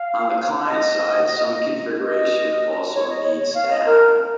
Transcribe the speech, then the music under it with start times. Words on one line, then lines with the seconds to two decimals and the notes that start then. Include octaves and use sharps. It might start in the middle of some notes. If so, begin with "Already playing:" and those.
On the client side some configuration also needs to happen.
Already playing: F5
0.67 D#5
2.04 D#5
2.94 C#5
3.10 D#5
3.25 C#5
3.40 C#5
3.55 F5
3.70 D#5
3.86 A#4